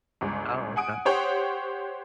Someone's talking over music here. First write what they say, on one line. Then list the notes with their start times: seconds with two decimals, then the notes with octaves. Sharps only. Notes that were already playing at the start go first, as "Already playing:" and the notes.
Oh, okay.
0.21 G1 C#2
0.76 F#5 G#5 D#6 D7
1.05 G4 C5 C#5 F#5 G5